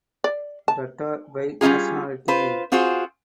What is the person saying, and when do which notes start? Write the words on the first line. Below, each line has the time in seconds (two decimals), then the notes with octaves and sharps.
Tatar by nationality.
0.24 D5
0.68 A5
1.61 G3 C#4 D#4 F4 G#4
2.28 F4 B4 C5
2.72 C4 F4 F#4 G#4 C5